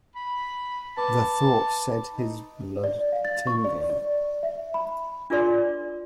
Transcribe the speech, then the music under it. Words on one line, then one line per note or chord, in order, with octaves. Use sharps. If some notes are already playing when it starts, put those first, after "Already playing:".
The thought set his blood tingling.
B5
B4 A5 B5 D6
D#4
D5
F5
A6
C#6
D5
D5
E5
B5
D4 F4 G#4 A#4 D5 C6